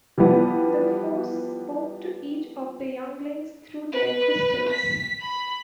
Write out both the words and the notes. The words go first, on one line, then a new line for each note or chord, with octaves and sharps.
The Force spoke to each of the younglings through their crystals.
E3 F3 G3 B3
B4
B6
B5